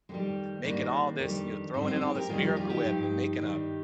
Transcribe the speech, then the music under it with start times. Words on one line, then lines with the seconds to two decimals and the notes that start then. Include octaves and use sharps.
making all this you know, throwing in all this Miracle Whip, and making a
0.09 F2 D#3 G3 G#3
0.64 G#2 D#3 G3 A#3 D4
1.19 F2 D#3 G3
1.74 G#2 G3 C4 D#4
1.87 C4 D#4
1.96 G#4
2.01 D#4 G4
2.15 G4 A#4
2.29 F2 C3 D#3 G3 F4 G#4
2.42 G4 A#4
2.56 F4 G#4
2.70 D#4 G4
2.84 G2 F3
3.39 G2 D#3 G3